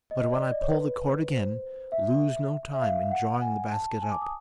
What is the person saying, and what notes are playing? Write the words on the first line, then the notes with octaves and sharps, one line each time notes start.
But when I pull the cord again, lose no time in drawing the basket up.'
D#5
D#5
D5
D5
C#5
B4
C5
E5
E5
F5
F#5
G#5
A5
G#5
D6
D#6